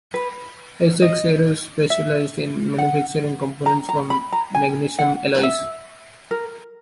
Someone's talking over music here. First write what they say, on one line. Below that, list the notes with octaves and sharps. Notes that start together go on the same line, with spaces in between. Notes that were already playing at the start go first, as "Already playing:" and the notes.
Essex Aero specialised in manufacturing components from magnesium alloys.
B4
D#5
E5
F#5
A#5
A#5
B5
A#5
G#5
F#5
E5
A#4